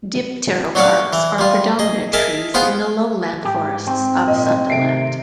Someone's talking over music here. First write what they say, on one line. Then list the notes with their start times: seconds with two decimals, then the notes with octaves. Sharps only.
Dipterocarps are predominant trees in the lowland forests of Sundaland.
0.75 F#3 D4 F#4 C#5 D5 F5
1.13 E3
1.38 G3 F4
1.79 G#4 D#5
2.13 G#4 A#4 D#5 E5 G#5 A5
2.54 B3 F4 G#4 C5 G5
3.45 G#2 G4
3.87 C4
4.28 A#2 D#5
4.70 G#1 C3 D#3 A3 E5 C7 D7